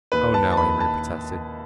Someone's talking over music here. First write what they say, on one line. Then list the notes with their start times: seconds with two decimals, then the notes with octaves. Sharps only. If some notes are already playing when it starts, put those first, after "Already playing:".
"Oh, no," Amory protested.
0.12 D#2 B4
0.34 A5
0.52 A5
0.57 D#2 B5
0.80 A5